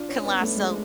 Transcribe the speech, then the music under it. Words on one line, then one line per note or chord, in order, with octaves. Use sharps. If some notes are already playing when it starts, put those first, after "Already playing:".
can last so l
Already playing: D4 F4
C#4
B3
A3
G#3